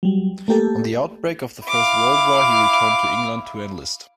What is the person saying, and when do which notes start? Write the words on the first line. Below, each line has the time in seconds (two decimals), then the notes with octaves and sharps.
On the outbreak of the First World War he returned to England to enlist.
0.03 F#3 G3
0.48 A3 A#3 G4 A4
1.68 E4 F5 D6